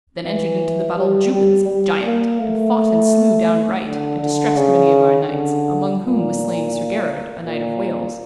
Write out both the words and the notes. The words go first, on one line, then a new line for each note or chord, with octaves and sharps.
Then entered into the battle Jubance a giant, and fought and slew down right, and distressed many of our knights, among whom was slain Sir Gherard, a knight of Wales.
E3
G3
G3
G3
A#3
A3
D3
D3
C#3
D3
A#2
A#2